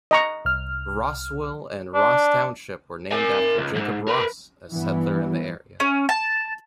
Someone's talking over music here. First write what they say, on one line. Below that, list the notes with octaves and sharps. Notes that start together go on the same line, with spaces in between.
Rossville and Ross Township were named after Jacob Ross, a settler in the area.
D#5 A#5 C#6
C2 F6
D4
A#4 G#5
C#2
C#2 G#2
A#4 B4
G2 E3 B3
C#4
A5